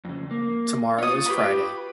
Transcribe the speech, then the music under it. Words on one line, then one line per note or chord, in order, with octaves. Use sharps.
Tomorrow is Friday.
F2 C#3
A#3
F4 C#5 D#6
G4 B4 B5